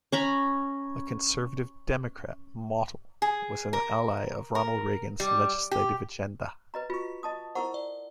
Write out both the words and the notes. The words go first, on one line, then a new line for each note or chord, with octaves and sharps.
A conservative Democrat, Mottl was an ally of Ronald Reagan's legislative agenda.
C#4 A#5 B5
G#4
A#4
A#4
G3
G4
B4 D#5 A#5
F4 F#4 C#6
D#5 A5 D#6
E4 A#4 C5 F#5 A#5 C#6
D5